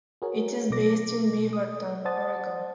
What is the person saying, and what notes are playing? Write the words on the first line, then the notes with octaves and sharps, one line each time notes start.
It is based in Beaverton, Oregon.
F#4 G#4 A#4 C#5
B2 F#3 A3 D6 A#6
D#6
C5 D5 F#5 A5 D#6 A6